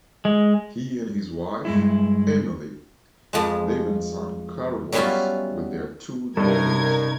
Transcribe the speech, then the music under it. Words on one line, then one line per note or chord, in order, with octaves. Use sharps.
He and his wife, Emily, live in San Carlos with their two daughters.
G#3
G2 G#3 E4
F2 F3 G#3
F#3 G3 B3 C#4 E4 F4
G2 C3 C#4 D#4 A4 A#4 G#6